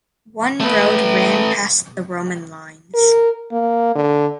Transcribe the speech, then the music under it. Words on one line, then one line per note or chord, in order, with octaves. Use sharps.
One road ran past the Roman lines.
A3 B4
A#4
A#3
D3